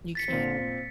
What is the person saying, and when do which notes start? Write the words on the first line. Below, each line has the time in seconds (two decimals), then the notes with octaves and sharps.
You can't.
0.15 A6 B6 C#7
0.28 A#2 C4